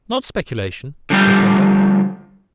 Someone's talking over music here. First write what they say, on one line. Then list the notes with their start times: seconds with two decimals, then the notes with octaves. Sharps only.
"Not speculation," said Thorndyke.
1.10 D3 F3 G3 G5